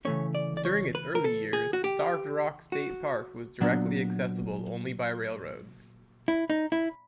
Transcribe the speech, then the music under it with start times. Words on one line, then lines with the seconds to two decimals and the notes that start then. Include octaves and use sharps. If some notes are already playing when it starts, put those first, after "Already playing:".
During its early years, Starved Rock State Park was directly accessible only by railroad.
0.05 C#3 E3 A3 C#4 C#5
0.35 D5
0.57 D5
0.65 C#5
0.95 B4
1.15 A#4
1.24 A4
1.53 G#4
1.73 F#4
1.84 G4
2.72 F#4
3.61 A#2 F#3 B3 D4
6.28 E4
6.50 D#4
6.72 E4